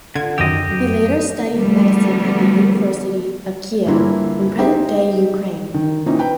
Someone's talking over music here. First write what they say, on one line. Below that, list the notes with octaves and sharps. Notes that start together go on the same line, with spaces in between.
He later studied medicine at the University of Kiev, in present-day Ukraine.
D3 F4 G#6
F#2 D#3 G4 D#5 E6
F2 F#3
D3 F3 G3 A3 B3
G2 D3 E3 A#3 E4 F4
D#4 G4 G#4 C5 E5
D#3
A#2 E3 C4 C#4 D#4
B4 G5